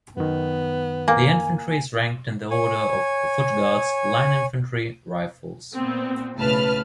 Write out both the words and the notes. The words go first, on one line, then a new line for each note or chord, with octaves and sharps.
The infantry is ranked in the order of Foot Guards, Line infantry, Rifles.
F#2 D#3 B3
A#3 G#5
C#5 G#5
A#2 B3 C4
B1 A2 C#3 B4 A5 F6